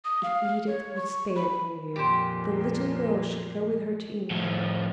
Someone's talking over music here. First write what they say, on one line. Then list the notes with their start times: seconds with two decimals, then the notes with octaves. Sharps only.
If Edith would spare Miriam, the little girl should go with her to England.
0.05 D#6
0.23 F5
0.67 C#5
0.96 C#6
1.36 B5
1.96 F2 A#2 G4 C5
4.30 A2 F3